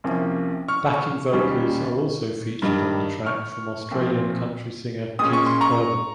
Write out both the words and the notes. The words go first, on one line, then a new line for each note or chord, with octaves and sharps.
Backing vocals are also featured on the track from Australian country singer Keith Urban.
C2 C3 F3 A#3 C#4
C#6 F6
D#2 D#3 G3 C#4
G2 D#3 G3
C#6 F6
C2 A#2 F3 C4
A#2 G#3 C#4 D#6
C#6
C6
A#5 C#6